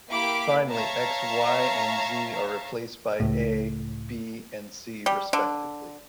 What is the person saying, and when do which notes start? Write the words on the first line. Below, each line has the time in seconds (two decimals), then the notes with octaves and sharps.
Finally, X, Y and Z are replaced by A, B and C respectively.
0.10 A#3 E4 G4 F5 B5 D6
0.71 C#5 E5 F5 A5 A#5
3.20 C#2 A2
5.06 G3
5.33 D3